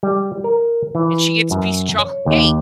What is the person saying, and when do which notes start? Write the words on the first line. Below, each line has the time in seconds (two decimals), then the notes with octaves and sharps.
and she gets a piece of chocolate cake.
0.03 G3
0.44 A#4
0.95 E3
1.51 F#2
1.99 C#5
2.26 D#2